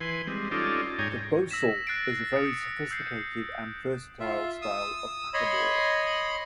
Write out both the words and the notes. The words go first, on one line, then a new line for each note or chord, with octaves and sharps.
The bosal is a very sophisticated and versatile style of hackamore.
E3 B4 G#5 C6
G3 G#3 C4
C#4 D#4 F4 G4 A4 D5
G#2 C#5 G5 G#5 A#5
E6 A#6 B6 E7
F#6 A6 C7 D7
D#6 C#7
E6 G6 C7
F4 E5
D#6 E6
C#5 D#5 B5 C6